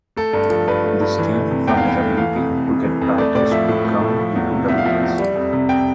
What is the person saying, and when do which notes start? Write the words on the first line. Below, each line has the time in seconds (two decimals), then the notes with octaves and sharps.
This came from his ability to get batters to ground into double plays.
0.16 A3 A4
0.33 G2 A4
0.50 F3 A4
0.68 G2 B4
0.84 A3
1.00 G2
1.18 E3
1.34 A3
1.51 C3
1.67 E2 G5
1.77 F5
1.84 E3 G5
2.01 A3
2.17 E3 F5
2.35 F2
2.51 C3
2.68 F2
2.85 E3
3.02 F2
3.18 A3 D5
3.35 A2 D5
3.51 F3 E5
3.68 A2
3.84 A3
4.01 A2
4.19 F3
4.35 E2
4.52 C3
4.68 E2 E5
4.78 F5
4.85 F3 E5
5.02 E2
5.19 G3
5.36 F2
5.53 C3
5.69 F2 G5